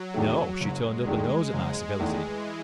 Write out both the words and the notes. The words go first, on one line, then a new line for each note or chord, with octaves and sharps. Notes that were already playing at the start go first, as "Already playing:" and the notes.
No, she turned up her nose at my civility.
Already playing: F#3
E2 D#3 A3
F#1 G#3
E2 D#3 G#3 A3
F#1
E2 D#3 E3 A3